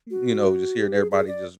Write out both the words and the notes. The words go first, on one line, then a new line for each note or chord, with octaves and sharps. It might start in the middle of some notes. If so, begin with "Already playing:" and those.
you know, just hearing everybody just
F#4
G4
G#4
G#4
D5